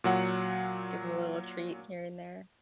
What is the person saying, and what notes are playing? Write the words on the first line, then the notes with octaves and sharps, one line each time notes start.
Give him a little treat here and there.
A#2 F#3 F#5